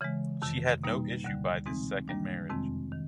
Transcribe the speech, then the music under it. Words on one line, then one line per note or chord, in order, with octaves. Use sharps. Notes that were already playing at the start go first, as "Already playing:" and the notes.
She had no issue by this second marriage.
C#3 E3 G#3
F2 C3 D#3
B2 G3 A#3 D#4
D2 D3 G3
C3 E3 G#3 C4 D#4
F#2 D#3 G3 A#3 D4
F2 C3 D#3 G#3 C4
D#3